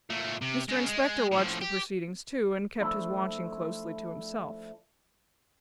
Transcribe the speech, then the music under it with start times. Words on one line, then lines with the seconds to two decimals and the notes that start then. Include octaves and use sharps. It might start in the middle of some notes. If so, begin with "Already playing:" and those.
Mr Inspector watched the proceedings too, and kept his watching closely to himself.
0.10 A#2 A3
0.42 C3
0.69 C#3 G#3
0.88 G#3
1.32 A2 F3
1.62 G4
2.81 F3 A3 D4 E4